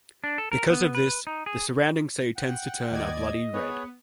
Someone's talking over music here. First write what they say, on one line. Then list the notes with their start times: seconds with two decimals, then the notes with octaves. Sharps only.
Because of this, the surrounding sea tends to turn a bloody red.
0.24 D4
0.38 A4
0.52 A#4
0.70 B3
0.95 B4
1.27 D#4
1.46 G#4
2.37 F#5 G5
2.92 D#2 D5 D#5 G#6
3.54 B3 G#4 B4 C#5